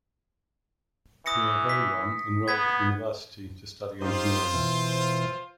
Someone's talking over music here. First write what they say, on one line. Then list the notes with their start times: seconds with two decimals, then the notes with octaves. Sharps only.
Pierre Veyron enrolled at university to study engineering.
1.26 E3 D#6 A#6 C#7
1.69 B6
2.48 B3 G#6 B6
4.02 D#4 F4 G4 C5
4.54 B2 E3